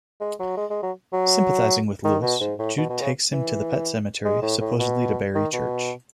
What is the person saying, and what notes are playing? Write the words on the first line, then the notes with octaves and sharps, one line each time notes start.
Sympathizing with Louis, Jud takes him to the pet sematary, supposedly to bury Church.
G#3
F#3
G#3
G#3
F#3
F#3
D#3
B2
G#2
A2
B2
B2
C#3
E3
G#3
A2
A2
B2
D#3
B2